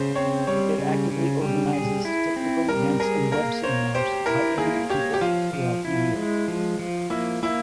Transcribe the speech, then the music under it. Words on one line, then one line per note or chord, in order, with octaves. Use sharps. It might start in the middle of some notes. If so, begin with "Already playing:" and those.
It actively organizes technical events and web seminars by eminent people throughout the year.
Already playing: C#3 C5
C4 C#5
G3 C#5
C#3
C#3
G3
G#4
E4
C4
G3 A#4
G#4 A#4
A#3 A#4
C5 C#5
G4 C5
E4 A#4
A#3 G#4
G4 C#5
G4
F3 F4
F3
E4
G#3
F3
F3
A#3 E4
A#3 E4